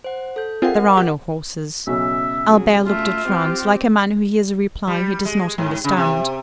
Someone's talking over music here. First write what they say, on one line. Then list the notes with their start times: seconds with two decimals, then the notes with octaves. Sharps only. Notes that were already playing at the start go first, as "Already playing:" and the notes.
"There are no horses." Albert looked at Franz like a man who hears a reply he does not understand.
0.04 C5 F#5
0.36 A4 G6
0.62 C4 F4 G#4 A#4 D#5 F#5
0.97 G4
1.87 B1 C#3 C#4 E5
2.46 F#3 G#4
2.86 A3 F4 E5
3.28 C4 G4
4.87 G3
5.25 G#3
5.58 G#2
5.84 C#3
5.97 C3